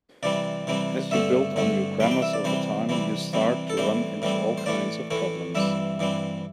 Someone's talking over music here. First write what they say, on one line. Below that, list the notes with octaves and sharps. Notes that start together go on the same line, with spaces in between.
As you build on your grammars over time, you start to run into all kinds of problems.
C3 E3 G3 C4 D5
C3 E3 G3 C4
G2 D3 A3 C4 E5
G2 D3 A3 C4
C3 E3 G3 C4 G5
G5
E5
D5
C3 E3 G3 C4 C5
C3 E3 G3 C4
C3 E3 G3 C4
A4
A2 E3 G3 C4 C5
A2 E3 G3 C4
C5
A2 E3 A3 D5
A2 E3 A3
G2 E3 G3 C4 E5
G2 E3 G3 C4